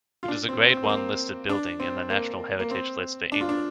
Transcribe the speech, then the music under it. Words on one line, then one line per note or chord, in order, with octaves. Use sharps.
It is a Grade One listed building in the National Heritage List for England.
F4
D4
C4
C4
A#3
C4
D4
C4
A#3
A#3
C4
D4
F4
D4